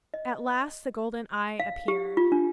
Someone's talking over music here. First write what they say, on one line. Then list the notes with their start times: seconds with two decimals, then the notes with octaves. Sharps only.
At last the golden Eye appeared.
0.14 D#5
1.60 F5
1.88 G4
2.17 F4
2.32 D4